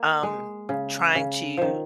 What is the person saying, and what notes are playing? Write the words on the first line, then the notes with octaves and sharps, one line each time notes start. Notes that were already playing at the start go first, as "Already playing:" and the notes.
um, trying to
Already playing: A#3
G#3
C#3
C#3
D#3 F3